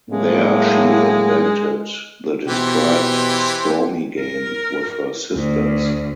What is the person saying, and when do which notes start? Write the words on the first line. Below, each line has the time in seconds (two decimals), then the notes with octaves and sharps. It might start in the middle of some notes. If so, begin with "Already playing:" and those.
There she invented the described "stormy game" with her sisters.
0.10 A2 F#3 G#3 A#3
2.48 B2 E3 G4 C5
4.19 A#4
5.33 D2